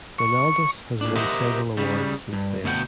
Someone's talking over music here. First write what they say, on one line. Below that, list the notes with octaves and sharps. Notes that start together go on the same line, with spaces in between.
Ronaldus has won several awards since then.
C#6
A#2 D4
G4 A#4 C5 D#5 E5 F#5
C#3 G3
G2
D2 B2 E4 F#5 G5